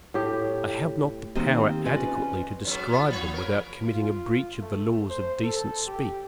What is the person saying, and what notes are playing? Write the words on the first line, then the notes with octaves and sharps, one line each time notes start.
I have not the power adequately to describe them without committing a breach of the laws of decent speech.
A2 G4
D#3 A#3 C4 G4 D#5
C#4 F4 B4 D5 D#5
G#2 F#3 B3
B3 F4
F3 C#5
A#4 B4
F4
A3
C5
A4
G4